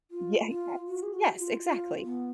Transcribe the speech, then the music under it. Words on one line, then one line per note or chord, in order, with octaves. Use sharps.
Yeah, yes, yes, exactly,
F4
F4
F#4
G#4
F#4
F4
F4
B3